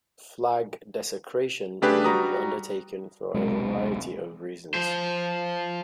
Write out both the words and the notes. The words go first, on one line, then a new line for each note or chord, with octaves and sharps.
Flag desecration may be undertaken for a variety of reasons.
C#3 A3 D4 G4 G#4 B4
G3 F#4 A#5 D#6
D#1 B1 C3 G#3
F3 C5